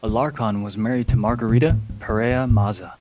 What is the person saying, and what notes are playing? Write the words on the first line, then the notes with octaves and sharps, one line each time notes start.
Alarcon was married to Margarita Perea Maza.
D3
C3
A#2
B2
A2
G#2
G2
F#2
G#2